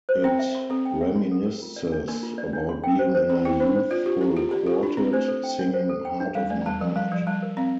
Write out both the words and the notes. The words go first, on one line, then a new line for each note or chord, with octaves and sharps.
It reminisces about being in a youthful quartet, singing "Heart of My Heart".
C5
C4 G5
E5
C6
C4 A4
G5
E5
C6
A4
A#4
F4
D5
D4
A#3 A#4
F4
D5
D4
C6
G5
C5
C5
C4 C6
E4 G5
D4 C5
C5
F4 D5
F4 G4
E4 G4
E4 F4
G4 D5
F4 G4
D4 E4
C4 E4
A3 C5
A4
G5
D4
C5
A4
G5
D4
G3 F5
A3 D5
G3 A5
F3 A#4
G3 F5
F3 D5
G3 A5
A#4
C4 F5